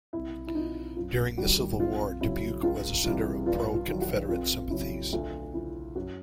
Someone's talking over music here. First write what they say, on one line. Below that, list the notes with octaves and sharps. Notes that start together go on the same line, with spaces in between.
During the Civil War, Dubuque was a center of pro-Confederate sympathies.
C2 E4
E4
C3 F3 D#4
F#2 F4
D#3 G3 F#4
F2 F4
C#3 F#3 E4
C#2 F4
C3 E3 G3 F4
G2 F4
F4
D#3 F#3
F#4
F2 F4
C#3 F#3 E4
D2 F4
C#3 F3 E4
F#2 F#4